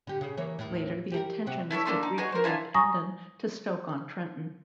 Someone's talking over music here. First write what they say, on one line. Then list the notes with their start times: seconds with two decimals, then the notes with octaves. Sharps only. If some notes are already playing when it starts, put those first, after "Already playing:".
Later, the intention is to reconnect Endon to Stoke-on-Trent.
0.07 D3 G4
0.21 C#3
0.37 E3 A#3 C#5
0.59 D#2 A2
1.12 G4 A4 A#4
1.46 C3 C4 F#4
1.71 E4 A4 C#5 E5
1.85 A3 A#3 D4 C6
2.03 D#4
2.18 F#4 G#4 C#5 D#5
2.32 A#4 C5
2.44 D4 E4 F4 G#5
2.74 G#5 A#5 C#6 D#6 A#6